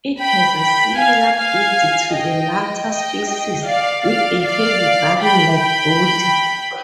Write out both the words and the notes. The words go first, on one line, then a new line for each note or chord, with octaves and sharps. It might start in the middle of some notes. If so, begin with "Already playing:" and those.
It has a similar build to the latter species, with a heavy barrel-like body.
G5 B5
G5 B5
F5 G#5
F5 G#5
D#5 G5
D#5 G5
D#5 G5
D5 F5
D5 F5
D5 F5
G5 B5
G5 B5